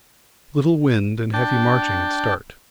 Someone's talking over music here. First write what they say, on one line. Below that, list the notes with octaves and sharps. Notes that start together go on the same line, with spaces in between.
Little wind and heavy marching at start.
D4 G5 A5